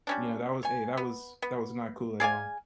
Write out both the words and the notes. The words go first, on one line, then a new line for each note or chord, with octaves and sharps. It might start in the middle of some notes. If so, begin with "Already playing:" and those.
you know, that was a that was that was not cool at all.
G3 C#4 D4
C#5 G#5
B3
B3
G#4 D5 F5 G#5